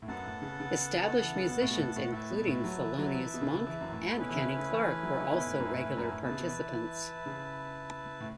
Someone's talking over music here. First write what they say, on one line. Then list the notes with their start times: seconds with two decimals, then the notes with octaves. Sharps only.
Established musicians including Thelonious Monk and Kenny Clarke were also regular participants.
0.02 A2
0.08 F#2 B3 A4 F#5 A5
0.25 A2
0.42 C#3
0.60 C#3
1.23 E3
1.35 C#3
1.49 B2
1.62 A2
1.70 B2
1.79 A2
1.96 A2
2.12 A2 E4 B4 E5 A5
2.30 B2
2.47 A2
2.64 F#3
2.81 E3
2.99 F#3
3.15 E3
3.34 B2
3.41 C#3
3.67 E3
3.81 F#2
3.92 A2
4.17 B2 A3 C#4 E4 B4
4.29 E3
4.35 C#3
4.58 C#3
4.70 E3
4.87 E3
5.03 F#3
5.21 C#3
5.33 B2
5.47 A2
5.59 F#2
5.71 A2
5.85 A2
5.97 F#2
6.10 A2
6.23 B2 E4 B4 A5
6.31 C#3
6.39 B2
6.49 E3
7.26 C#3
8.20 A2